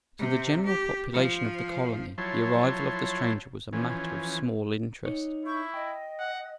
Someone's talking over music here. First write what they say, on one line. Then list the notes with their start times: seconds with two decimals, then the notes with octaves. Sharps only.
To the general population of the colony the arrival of the stranger was a matter of small interest.
0.19 C3
0.66 G4
1.13 F3
2.18 F3 F#3 E4 C#5 A5 C6
3.73 E3 F3 C#4
5.05 D#4 C#5
5.45 E4 C#6 G6
5.74 D#5 G5
6.19 F#5